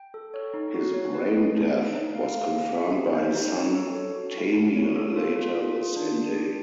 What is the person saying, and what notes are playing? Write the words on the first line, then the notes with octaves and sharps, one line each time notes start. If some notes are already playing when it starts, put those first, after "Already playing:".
His brain death was confirmed by his son Tamir later the same day.
Already playing: G5
A4
C#5
D#4
F#4
C#5
B4
D#5
D4
B4
D#4
F5
F5
G#4
E5
G4
C5
D#4
C#5
A4
C#5
F#4
E4
E4
C#5
A4
F4
F4
G#4
F4
D4
D4
G4